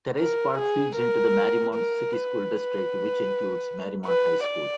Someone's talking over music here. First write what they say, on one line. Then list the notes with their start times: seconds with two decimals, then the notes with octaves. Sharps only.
Terrace Park feeds into the Mariemont City School District, which includes Mariemont High School.
0.19 A#4
0.58 G#4
0.96 A#4
1.74 A#4
2.13 B4
4.06 B4
4.46 D5